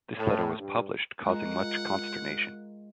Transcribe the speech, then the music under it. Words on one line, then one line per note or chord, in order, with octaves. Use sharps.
This letter was published causing much consternation.
A2
G2
G#3 F4 A#4 F#5